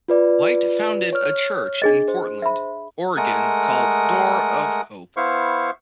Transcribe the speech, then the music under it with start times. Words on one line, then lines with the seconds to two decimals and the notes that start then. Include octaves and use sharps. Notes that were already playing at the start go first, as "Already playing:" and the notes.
White founded a church in Portland, Oregon called Door of Hope.
0.08 F4 B4 D5
1.13 C#5 F6
1.82 D4 G#4 D#5
2.08 C5
2.42 E5 B5
3.17 G#3 A3 A#4 F#5 D#6
5.17 B3 E4 C5 F5 C#6